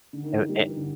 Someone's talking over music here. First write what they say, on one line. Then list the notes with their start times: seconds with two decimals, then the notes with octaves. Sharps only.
Er, it
0.13 D3
0.23 D#3
0.32 E3
0.49 G3
0.69 E3
0.77 D3